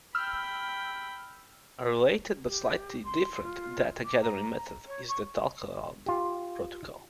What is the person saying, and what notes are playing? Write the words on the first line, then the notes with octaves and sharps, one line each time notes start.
A related but slightly different data-gathering method is the talk-aloud protocol.
G5 B5 E6 F6 G6
G4
C6
F4
D6
A#5
C#5
C#6
F4 G4